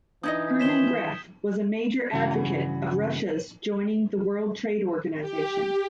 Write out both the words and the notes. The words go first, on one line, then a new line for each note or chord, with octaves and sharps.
Herman Gref was a major advocate of Russia's joining the World Trade Organisation.
E3 D4 D#4 D#5 D#6 G6 G#6
D#3 C4 C#4 B6 E7 G7
G2 C#3 E3 F#4
G4